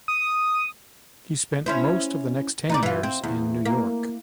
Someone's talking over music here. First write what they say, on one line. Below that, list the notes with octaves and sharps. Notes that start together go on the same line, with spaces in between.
He spent most of the next ten years in New York.
D#6
C#4 E4 C5
D#4 B4 D5
E3 F4
C4
E2
A#3